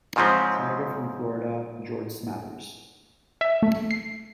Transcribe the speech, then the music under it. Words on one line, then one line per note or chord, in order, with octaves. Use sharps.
Senator from Florida, George Smathers.
G#2 C#3 F3 G#3 C4 C#4
E5
A3
C7